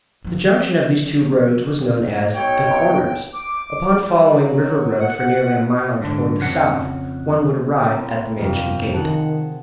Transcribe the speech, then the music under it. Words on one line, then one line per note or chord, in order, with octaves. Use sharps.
The junction of these two roads was known as "The Corners." Upon following River Road for nearly a mile toward the south one would arrive at the Mansion gate.
E3 F3
B1 C#5 G5
D6
G3
F#3
F#5
G#2 D3
F2 C#3 F#5
C4 E4 A#4
F2 C3
D#3 G#4 F#5 A5